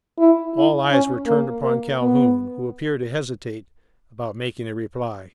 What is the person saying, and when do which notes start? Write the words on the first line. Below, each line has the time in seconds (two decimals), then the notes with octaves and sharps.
All eyes were turned upon Calhoun, who appeared to hesitate about making a reply.
0.19 E4
0.55 E4
0.91 C#4
1.27 A#3
1.62 A#3
1.99 B3